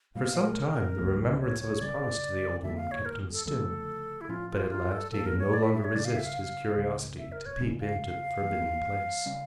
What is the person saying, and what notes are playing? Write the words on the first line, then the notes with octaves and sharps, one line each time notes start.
For some time the remembrance of his promise to the old woman kept him still, but at last he could no longer resist his curiosity to peep into the forbidden place.
A#2 G3 A#3 F5
A#4
C#2 C#3 F3 A#3
C#5
C#5
C#3 G3 C#4 D5
F2 D3 G3 A#3 E5
F5
C#5
A#4
A4
D2 C#3 F3 A3 A4
E4
A2 F3 C#4 F4
F4
F4
A4
A2 E3 A#3 A4
A#4
C#5
D5
E5
E5
C#5
C#3 G3 D4 D5
F5
E5
F5
F5
C#2 C#3 G3
E5
A#4
C#5
E2 C#3 G3 C#4
F5
F5
G2 E3 A#3
C#3 G3 C#4